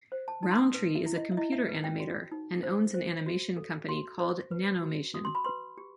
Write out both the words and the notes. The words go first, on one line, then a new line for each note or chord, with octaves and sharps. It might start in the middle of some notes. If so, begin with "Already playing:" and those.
Rowntree is a computer animator, and owns an animation company called Nanomation.
C5
A5
D#4 A5
C6
D#6
B4
E5
E4
D#5
E5
E4 D#5
E5
B4
G5
F#4
D#4
C5
C5
F#4
A4
F#4 C6
C5
B4
F#4
F#4 D#6
C6
B5
B4 C6
G4